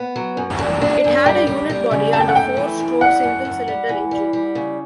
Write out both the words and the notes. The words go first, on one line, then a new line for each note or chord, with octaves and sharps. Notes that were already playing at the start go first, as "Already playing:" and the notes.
It had a unit body and a four-stroke single-cylinder engine.
Already playing: B3
F#3
F#2
D4
D4
F#2
G3 G5
G3
G3
C#3
F#2 A5
G5
F#5
A3 G5
E3
F#2
G3 F#5
F#2
F#2
G3
E3
G3
G3
C#3